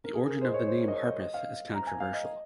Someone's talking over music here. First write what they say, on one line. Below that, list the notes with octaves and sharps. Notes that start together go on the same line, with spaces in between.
The origin of the name "Harpeth" is controversial.
A#4
G#4
A#4
C5
D#5
C#5
C5
A#4
D#5
C#5
D#5
D#5
F5
A#5
G#5
F5
D#5